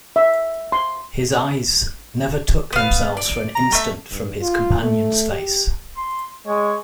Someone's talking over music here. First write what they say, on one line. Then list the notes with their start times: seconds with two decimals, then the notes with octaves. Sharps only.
His eyes never took themselves for an instant from his companion's face.
0.16 E5
0.72 C6
2.73 B3 F5
3.17 D5
3.55 A#5
3.72 A3 E5
4.11 G2
4.41 F4
4.82 A3
5.32 G4
5.97 C6
6.47 G#3 C#5